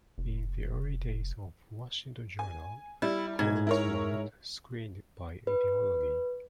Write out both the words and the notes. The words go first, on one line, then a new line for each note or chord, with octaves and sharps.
In the early days of "Washington Journal", callers were not screened by ideology.
F1
G#5
G3 E4
G#2 G#6
E4 A#4 C#5
B4